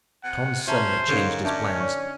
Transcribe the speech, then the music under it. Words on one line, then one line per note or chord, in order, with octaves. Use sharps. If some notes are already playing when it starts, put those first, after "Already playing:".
Tom suddenly changed his plans.
C3 F#5
C#4 F#4 C5 E5 A5 A#5
F#2 D3 C#4 D#4 G#4 A4 F5
F#2 C#4 D4 E5 A5 D6
C#5 D5 C#6